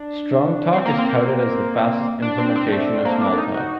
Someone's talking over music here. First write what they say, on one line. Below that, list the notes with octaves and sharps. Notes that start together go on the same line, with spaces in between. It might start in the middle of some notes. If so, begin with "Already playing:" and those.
Strongtalk is touted as the fastest implementation of Smalltalk.
Already playing: D4
C4
A#3
C4
D4
C4
C4
A3
A#3
D4
D#4
F#4